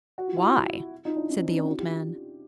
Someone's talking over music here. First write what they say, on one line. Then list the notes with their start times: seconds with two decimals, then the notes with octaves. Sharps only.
"Why?" said the old man.
0.18 F#4
0.28 F4
0.37 E4 F#4
1.05 D#4 F4
1.16 D4 E4
1.29 C#4 D#4
1.38 C4 D4
1.48 C#4 D#4
1.57 C4 D4
1.67 E4 F#4
1.79 F4 G4